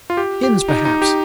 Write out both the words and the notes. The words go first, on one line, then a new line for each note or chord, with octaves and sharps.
Skins perhaps.
F4
G4
G4
D#4
D#4
G4